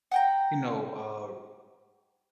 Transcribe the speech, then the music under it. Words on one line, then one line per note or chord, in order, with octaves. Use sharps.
you know, uh,
F#5 G5 A#5